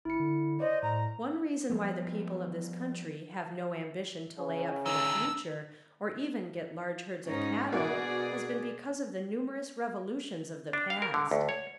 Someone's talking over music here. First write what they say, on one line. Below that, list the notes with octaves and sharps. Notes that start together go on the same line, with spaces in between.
One reason why the people of this country have no ambition to lay up for the future or even get large herds of cattle has been because of the numerous revolutions of the past.
G1 E4 C#7
D3
C5 D5 D#5
A2 A#5
F3 G3 B3
C#3
D2 D#3 E6
G#2 C#4 D#4
B2 A#3 D4 F#4 G#4 D5
D4
F5
A#4
D3
D2
C#5